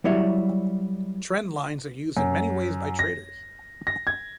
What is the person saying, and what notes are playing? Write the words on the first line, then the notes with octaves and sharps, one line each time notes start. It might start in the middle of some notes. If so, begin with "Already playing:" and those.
Trend lines are used in many ways by traders.
F#3 G3 E4 C#5 D5 E5
F#2
A#6
A#6
G#6